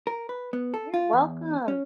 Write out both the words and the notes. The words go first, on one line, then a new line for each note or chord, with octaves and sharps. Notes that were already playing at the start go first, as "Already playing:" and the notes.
You're welcome.
A#4
B4
B3
A4
F4
E2
C#4